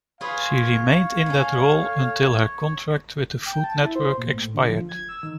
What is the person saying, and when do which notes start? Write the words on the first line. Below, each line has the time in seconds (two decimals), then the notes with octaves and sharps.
She remained in that role until her contract with the Food Network expired.
0.21 F4 G#4 B4 C#5 F5
1.26 A2 C#4
3.46 G5
3.64 A5
3.83 E4
3.96 C5
4.18 A#2
4.33 A2
4.54 D3
4.68 F3
4.89 G#6
5.09 E6
5.23 D#3